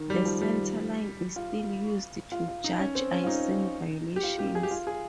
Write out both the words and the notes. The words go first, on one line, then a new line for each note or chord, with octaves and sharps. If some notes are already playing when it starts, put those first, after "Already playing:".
The centre line is still used to judge icing violations.
Already playing: D#3
G3
F3
G3
F4
F4
F4
D#4
C#4
C4
C#4
F4
D#4
G4
F4
G4
G#4
G4
F4
G#4